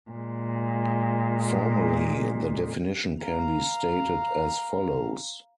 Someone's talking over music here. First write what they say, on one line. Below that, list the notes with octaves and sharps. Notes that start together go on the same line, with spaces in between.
Formally, the definition can be stated as follows.
A#2 G#3
F5 A#5